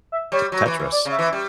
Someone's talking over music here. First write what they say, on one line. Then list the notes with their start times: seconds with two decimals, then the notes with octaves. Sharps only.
T Tetris,
0.12 E5
0.32 G3 C#5
0.52 F#3
0.66 E3
0.79 E3
0.92 D5
1.05 C#3
1.12 E5
1.19 E3
1.33 G3